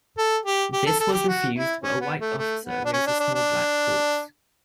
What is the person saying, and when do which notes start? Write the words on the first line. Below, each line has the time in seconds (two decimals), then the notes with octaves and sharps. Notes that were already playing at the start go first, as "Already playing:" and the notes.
This was refused but a white officer raised a small black corps.
0.18 A4
0.45 G4
0.73 G4
0.86 A4
1.00 A4
1.13 G4
1.28 F#4
1.55 E4
1.82 C#4
2.01 B3
2.19 A3
2.37 A3
2.66 B3
2.85 D4
2.93 C#4
3.06 D4
3.20 D4
3.34 D4